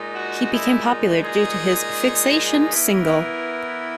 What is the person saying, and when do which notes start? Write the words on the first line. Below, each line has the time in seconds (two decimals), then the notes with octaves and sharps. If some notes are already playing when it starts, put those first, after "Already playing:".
He became popular due to his "Fixation" single.
Already playing: A#2 G#3 D#4
0.15 F#4
0.52 E4
1.25 G#4
2.73 E3 B3 E4 A#4